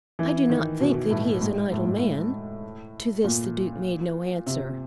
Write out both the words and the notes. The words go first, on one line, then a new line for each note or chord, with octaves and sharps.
"I do not think that he is an idle man." To this the Duke made no answer.
E3
D#3
B2
A2
G#2
A2
G#2
A2
A#2
C3